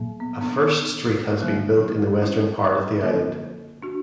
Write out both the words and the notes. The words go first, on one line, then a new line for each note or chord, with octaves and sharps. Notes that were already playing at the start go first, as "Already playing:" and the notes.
A first street has been built in the western part of the island.
Already playing: A#2 F#3 A#3
B3
B3 D4
D3 F#3 A#3
C#4 E4
D3 A#3
D4 F#4